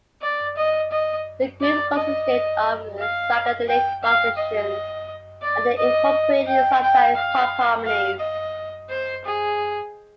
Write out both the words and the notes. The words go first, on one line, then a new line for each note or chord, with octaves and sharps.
The group consisted of psychedelic rock musicians, and they incorporated sunshine pop harmonies.
D5
D#5
D#5
D5
D#5
F5
G5
F5
D#5
D5
D#5
G5
G5
F5
F5
D#5
C5
G#4